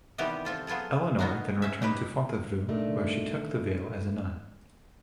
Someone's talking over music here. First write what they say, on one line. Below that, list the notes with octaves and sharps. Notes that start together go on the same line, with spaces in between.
Eleanor then returned to Fontevraud where she took the veil as a nun.
C3 D#3 E3 G3 B3 G4
C4 F4 A4
F#3 B3 F4 G#4 A4
B2 B3 D#4 F#4 F5
C#4 E5
D#4 G4 B4
A#2 A3 D4 D#4 A#4 D5